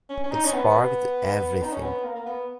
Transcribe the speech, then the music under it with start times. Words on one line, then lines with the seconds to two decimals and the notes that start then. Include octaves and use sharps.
It sparked everything.
0.09 C#4
0.24 C#4
0.32 D#4
0.45 C#4
0.53 B3
1.62 D#4
1.72 C#4
1.83 B3
2.04 A#3
2.15 A#3
2.26 B3